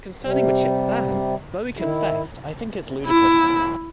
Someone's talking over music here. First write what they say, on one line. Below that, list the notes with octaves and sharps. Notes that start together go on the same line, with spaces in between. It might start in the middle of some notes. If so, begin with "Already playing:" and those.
Concerning the clip's ban, Bowie confessed, I think it's ludicrous.
C3 G3
D#3 E4
E4